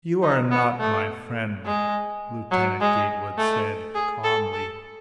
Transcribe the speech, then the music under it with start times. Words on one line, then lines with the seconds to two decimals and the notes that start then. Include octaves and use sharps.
"You are not my friend," Lieutenant Gatewood said calmly.
0.22 D#4
0.51 B3
0.80 A3
1.65 G#3
2.51 F#3
2.80 G#3
3.38 A3
3.95 G#4
4.24 A4
4.53 A4